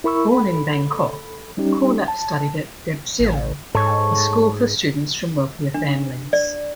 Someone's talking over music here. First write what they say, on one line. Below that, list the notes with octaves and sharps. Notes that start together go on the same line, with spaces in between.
Born in Bangkok, Kulap studied at Debsirin, a school for students from wealthier families.
E4 A#4 B5 C#6 E6
A4 B5
G3 C#4 D#4 G4
A5
A1
G#2 A4 C#5
D4
D5